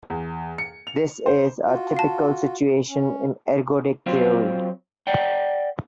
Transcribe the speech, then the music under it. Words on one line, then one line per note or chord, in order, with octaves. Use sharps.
This is a typical situation in ergodic theory.
E2
C#7
F7
C5
F4 F#4
F5 A5
C#4
F#3 C4 F4
D5 F#5 G5